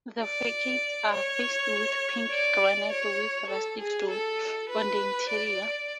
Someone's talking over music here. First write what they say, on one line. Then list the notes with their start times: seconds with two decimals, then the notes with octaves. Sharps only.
The facades are faced with pink granite with rustic stone on the interior.
0.23 D5
1.13 C#5
2.31 D5
2.91 C#5
3.50 A4
3.80 G#4
4.10 A4
4.69 B4
5.29 D5